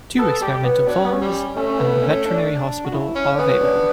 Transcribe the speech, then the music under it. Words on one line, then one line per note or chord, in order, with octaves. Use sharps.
Two experimental farms and the Veterinary Hospital are available.
B3 A4
G3 G4
F#3 B3
F#3 D4
C#4
B3
C#4
G3
A3 C#4
B3
C#4
D4
F#4
E4
C#4
B3 C#4
D4